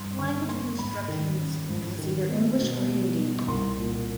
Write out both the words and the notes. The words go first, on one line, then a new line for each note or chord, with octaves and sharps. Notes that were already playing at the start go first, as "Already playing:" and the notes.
The language of instruction in the schools is either English or Hindi.
Already playing: G2 C6
D3 C#6
A#3 C6
G#2 B5
D#3
C#4
G#2
D#3
B3
B2
G3
D#4
C2 C6
A#2